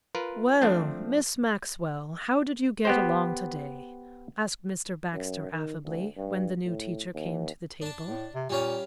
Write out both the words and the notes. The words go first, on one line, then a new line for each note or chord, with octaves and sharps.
"Well, Miss Maxwell, how did you get along today?" asked Mr. Baxter affably, when the new teacher came to the table.
F4 A#4 B4
F3 A3 C4 D4
B3 G4 C5
F#2
D#3
D2
G2
A2
D#2
D4 A5
A2
C3
A#2 G3 C#4 F5